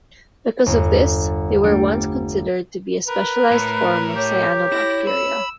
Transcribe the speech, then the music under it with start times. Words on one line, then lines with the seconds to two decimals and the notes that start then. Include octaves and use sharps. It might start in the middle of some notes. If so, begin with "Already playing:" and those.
Because of this, they were once considered to be a specialized form of cyanobacteria.
0.66 G1 E2
1.64 G3 A3 D4 D7
3.08 A#4 B4
3.51 A2
4.16 G4 C#5
4.72 E4 A#6
5.07 B5 E6